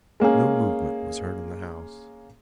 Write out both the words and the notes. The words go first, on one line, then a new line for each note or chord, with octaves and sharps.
No movement was heard in the house.
G#3 A#3 C#4 G#4